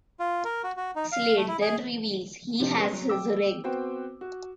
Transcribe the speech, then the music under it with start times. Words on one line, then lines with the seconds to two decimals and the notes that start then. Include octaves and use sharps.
Slade then reveals he has his ring.
0.20 F4
0.44 A#4
0.64 F#4
0.77 F#4
0.96 D#4
1.12 F5
1.36 A3
1.48 E4
1.61 G#4
2.60 C3 F3 C4
2.75 G#3 B3 C#4
2.92 F#3
3.09 G5 D6 E6
3.64 B3 C4 F#4 C5 G5
4.21 F#4